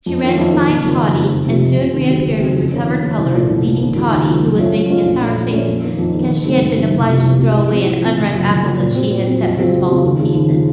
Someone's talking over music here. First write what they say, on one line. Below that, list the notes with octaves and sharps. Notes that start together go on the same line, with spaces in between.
She ran to find Totty, and soon reappeared with recovered colour, leading Totty, who was making a sour face because she had been obliged to throw away an unripe apple that she had set her small teeth in.
F2
D#3 A#3 C#4 F4
F2
D#3 A#3 C#4 F4
F#1
F2 D#3 A#3
F#1
F2 D#3 A#3
F2
C3 F3
F2
C3 F3
D#2
C#3 F#3 C4
D#2
C#3 F#3 C4
F2
D#3 A#3 C#4
F2
D#3 A#3 C#4
C2
A#2 F3 A3
C2
A#2 F3 A3
D#2
C#3 F3 A#3
D#2
C#3 F3 A#3
F#2
F3 A3 C#4 F4
F#2
F3 A3 C#4 F4
A#1
A#2 A3 C#4
A#1
A#2 A3 C#4
F2
D#3 A#3
F2
D#3 A#3
F#1
F#2 D#3 A3 C4
F#1
F#2 D#3 A3 C4
C2
C3 F3
C2
C3 F3
A2
F3 C4
A2
F3 C4
F#1
F#2 F3
F#1
F#2 F3
A#2
F#3 C4
A#2
F#3 C4
F2
C#3 F#3 C4 F4
F2
C#3 F#3 C4 F4
D#2
C#3 F3
D#2
C#3 F3